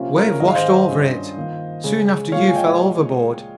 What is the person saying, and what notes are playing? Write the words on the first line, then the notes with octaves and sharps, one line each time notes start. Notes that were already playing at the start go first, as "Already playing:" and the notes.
Wave washed over it--soon after you fell overboard.
Already playing: C3 F3 A#3 C#4 F4
A#4 C#5
G#2 D#3 G#3 D#5
F5
C5 D#5
G2 G3 C#4 F4
D#3 A#3 F4
C#3 G#3 C#4
A#2 F3 G#3 C#5 F5
G#5
D#5 G5